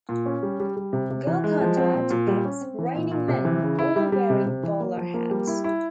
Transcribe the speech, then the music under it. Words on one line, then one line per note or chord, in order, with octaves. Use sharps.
"Golconda" depicts "raining men" all wearing bowler hats.
A#2
C#4
G3
G3
G3
C3
C3
E3
G#3
F3
C4
A#2
A#2
G3
C#4
C4
E3
A#2
A#2
C3
E3
C#3
E4
G3
G3
C3
C3
E3
A#3
F3
A#3
G3
E4
E4